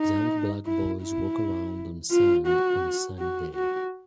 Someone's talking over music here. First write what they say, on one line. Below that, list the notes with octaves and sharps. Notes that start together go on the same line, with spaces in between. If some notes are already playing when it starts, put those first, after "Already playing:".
Young black boys walk around on sand on a sunny day.
Already playing: D#4
E4
E4
F4
F#4
F#4
F#4